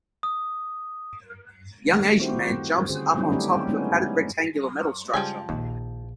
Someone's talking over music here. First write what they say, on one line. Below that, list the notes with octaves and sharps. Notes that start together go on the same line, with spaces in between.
Young Asian man jumps up on top of a padded rectangular metal structure.
D#6
D#3 G3 A3
C4 E4 F#4 G4 C5
D3 C#4 F#4 G#4 C5
F#3 G3 B3 C#4 D#4 E4
A3 C4 D4 G4
G#3 A3 B3 C#4 D#4 E4
C#3 F3 G3 G#3 G5 G#5
A#1 D#2 A#3